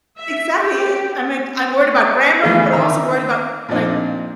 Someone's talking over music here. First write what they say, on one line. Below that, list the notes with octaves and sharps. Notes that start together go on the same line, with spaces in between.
Exactly, i i I'm, like, I'm worried about grammar, but I'm also worried about, like,
E5
G4
E3 A3 B3 D#4 G#4
D#3 E5 A#5
A#2 F3 C4 D4 D#4